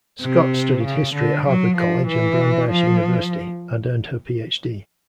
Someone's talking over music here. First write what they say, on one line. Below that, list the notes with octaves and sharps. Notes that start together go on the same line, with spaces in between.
Scott studied history at Harvard College and Brandeis University, and earned her PhD.
C3
C#3
D3
F#3
F3
E3
F3